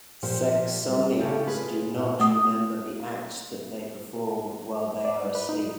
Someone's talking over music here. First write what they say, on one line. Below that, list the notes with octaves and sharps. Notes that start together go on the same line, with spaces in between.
Sexsomniacs do not remember the acts that they perform while they are asleep.
A#2 F3 G4 C5
G3
C#3 G4 A4
F4 G#4 B4
A#2 F4
A3 D#6
D5
B4
D#4